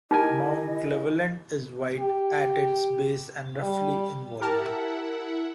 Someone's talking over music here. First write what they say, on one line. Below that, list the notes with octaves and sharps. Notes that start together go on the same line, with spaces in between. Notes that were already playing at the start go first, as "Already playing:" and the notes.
Mount Cleveland is wide at its base and roughly in volume.
D#4 E4 G4 A#4 D#5 G#5
G4
G3
E4 G4 A#4 E5 F#5 A5